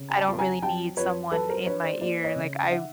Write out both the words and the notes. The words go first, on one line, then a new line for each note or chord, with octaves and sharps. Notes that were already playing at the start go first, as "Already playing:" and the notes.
I don't really need someone in my ear. Like, I
Already playing: C#3
G#5
G5 A5
F2
G#5 A#5
F#3 G5 A5
F2 B4 C#5
F#3 A4 B4
A#4 C5
D4 B4 C#5
C5 D5
A#3 C5 D5
C#5 D#5
C#3
D#3 E5 F#5